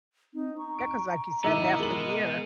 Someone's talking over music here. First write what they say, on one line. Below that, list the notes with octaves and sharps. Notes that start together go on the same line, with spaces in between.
Yeah, 'cause like you said, half the year,
C4 D#4
A#5 C#6
D7
D#3 B3 D#4 E4 D#5 D6
G#3 A#4 F#7